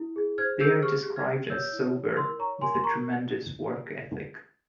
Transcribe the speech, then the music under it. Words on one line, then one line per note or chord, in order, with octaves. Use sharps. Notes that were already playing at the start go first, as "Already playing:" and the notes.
They are described as "sober" with a tremendous work ethic.
Already playing: E4
G#4
C5 F6 G#6
G#4 E6 G6
G4 C#6 F6
G4
F6 G#6
G4
C#5 E6 G6
E4
E4
A#4 C6 E6
C#5 A#5 C#6
A#4 G#5 C6
C6
A#4 A#5 C#6